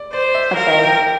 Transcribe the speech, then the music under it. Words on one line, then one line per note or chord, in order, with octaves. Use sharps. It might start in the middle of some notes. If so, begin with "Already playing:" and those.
a thing.
Already playing: D5
C5 D5
E5
A#4 F5
G5